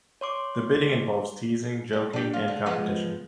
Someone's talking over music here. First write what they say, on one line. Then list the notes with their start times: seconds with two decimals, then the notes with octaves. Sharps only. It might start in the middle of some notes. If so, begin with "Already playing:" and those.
The bidding involves teasing, joking, and competition.
0.21 C#5 C6 D6
1.93 G3
2.13 D4 G4
2.34 F4
2.48 D3
2.66 F3 G#3 B3